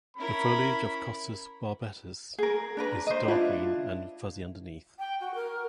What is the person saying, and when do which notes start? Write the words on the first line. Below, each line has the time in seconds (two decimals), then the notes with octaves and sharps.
The foliage of "Costus barbatus" is dark green and fuzzy underneath.
0.17 C#4 E4 A#4 B5
2.38 G#4 A#4
2.77 D4 A#4 B4
3.07 C5 D#5
3.28 D4 E4 F4
4.98 G5
5.20 F#4
5.34 A#4